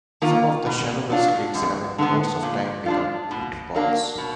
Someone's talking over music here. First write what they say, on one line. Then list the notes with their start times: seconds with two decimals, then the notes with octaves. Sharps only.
Some of the shallowest lakes have in the course of time become peat-bogs.
0.22 D#3 A#3 F4
0.66 B2
1.10 F#3 D4 F4
1.54 F#2
1.98 D3 G#3 B3
2.43 A#2
2.86 G#3 D4 F4
3.31 B2
3.74 F#3 A#3 D4
4.18 B2